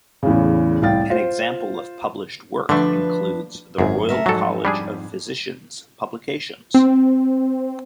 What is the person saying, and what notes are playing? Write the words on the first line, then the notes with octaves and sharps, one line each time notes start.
An example of published work includes the Royal College of Physicians publications.
E2 A2 C#3
C2 A2 F5 G5 A6
F4 C5
D3 F3 A3 D4 B4
G#1 F#2 G#4
A3 A#4 E5
F2 G#2 F#3 A4
G3 D4 G#4
C4